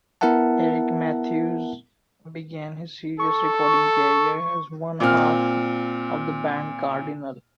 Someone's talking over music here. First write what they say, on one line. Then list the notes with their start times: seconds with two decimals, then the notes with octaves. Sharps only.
Eric Matthews began his serious recording career as one half of the band Cardinal.
0.21 B3 E4 A#4 E5 F#5 A5
3.20 A4 C#6
5.00 A#2 C4 F6